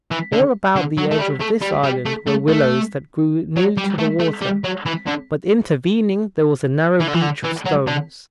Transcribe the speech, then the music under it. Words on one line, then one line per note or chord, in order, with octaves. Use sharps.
All about the edge of this island were willows that grew nearly to the water, but intervening there was a narrow beach of stones.
E3
D3
D3
F#3
A3
G3
A3
G3
G3
A3
A3
A3
F#3
G3
A3
A3
G3
F#3
E3
D3
E3
D3
E3
D3
E3
F#3
D3